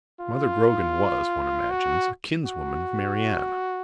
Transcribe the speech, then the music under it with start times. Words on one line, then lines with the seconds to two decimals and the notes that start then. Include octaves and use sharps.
Mother Grogan was, one imagines, a kinswoman of Mary Ann.
0.20 F4
1.70 F#4
2.45 F#4